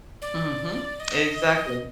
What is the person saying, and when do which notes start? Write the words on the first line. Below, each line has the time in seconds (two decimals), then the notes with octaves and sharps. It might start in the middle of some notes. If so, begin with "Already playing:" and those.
Mhm. Exactly.
0.22 D5
1.00 D#5